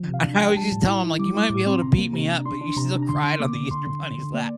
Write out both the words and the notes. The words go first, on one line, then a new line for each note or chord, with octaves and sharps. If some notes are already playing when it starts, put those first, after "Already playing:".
And I would just tell him like, "You might be able to beat me up, but you still cried on the Easter Bunny's lap."
Already playing: F3
C3
F5
D4
F3 G5
G3 A5
A2
E4 A#5
E4
G3 D6
E4 D6
A2 D6
C4 C6
C3 A#5
A#3
C3 A#5
D4
D4 C6
D4
C3 A#5
D4
A#5
D3 C6
D3
A#3 D6
D3
D3 C6
D3
D3
D3
A#3 D5